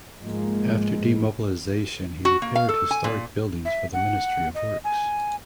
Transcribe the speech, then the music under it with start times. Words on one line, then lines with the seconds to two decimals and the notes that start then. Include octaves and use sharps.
After demobilisation he repaired historic buildings for the Ministry of Works.
0.21 G#2 F3 G#3 A#3
2.25 F#4
2.42 A#3
2.55 F5
2.69 A4
2.91 G#5
3.04 A#2
3.65 E5
3.93 F#5
4.55 D#5
4.84 G#5